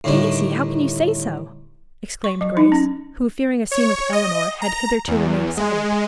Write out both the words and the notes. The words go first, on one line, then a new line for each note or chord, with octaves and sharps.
"Daisy, how can you say so?" exclaimed Grace, who, fearing a scene with Eleanor, had hitherto remained silent.
A2 D3 D#3 G3
C#6
F#3
D#4
C#4
C#5
D#5
A#5
E2
G#3